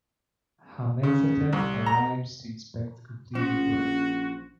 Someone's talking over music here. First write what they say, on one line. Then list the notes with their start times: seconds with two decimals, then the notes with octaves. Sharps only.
Hamenthotep arrives to inspect the completed work.
1.03 C#3
1.53 C2
1.86 A#5
3.35 A#1 F3 C#4 F#4